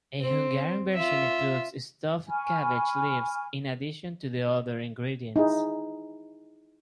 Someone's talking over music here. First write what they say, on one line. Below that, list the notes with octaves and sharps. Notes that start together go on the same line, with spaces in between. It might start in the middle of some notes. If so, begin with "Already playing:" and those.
A Hungarian version includes stuffed cabbage leaves in addition to the other ingredients.
C4
F4 E5
G#5 B5 C#6 F6
D#4 E4 G#4